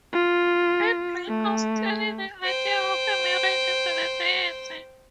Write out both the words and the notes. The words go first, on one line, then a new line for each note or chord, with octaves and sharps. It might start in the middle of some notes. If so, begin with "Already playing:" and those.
It brings out clearly the idea of her marriage to the deity.
F4
A3
C5 G5